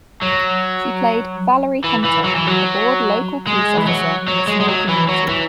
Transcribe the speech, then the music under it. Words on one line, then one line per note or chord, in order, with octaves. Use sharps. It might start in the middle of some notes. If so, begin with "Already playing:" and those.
She played "Valerie Hunter", a bored local police officer in a small community.
F#3
E3
E3
F#3
E3
F#3
G#3
E3
F#3
F#3
G#3
G#3
F#3
E3
F#3
E3